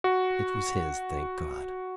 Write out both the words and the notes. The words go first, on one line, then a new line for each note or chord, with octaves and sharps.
It was his, thank God!
F#4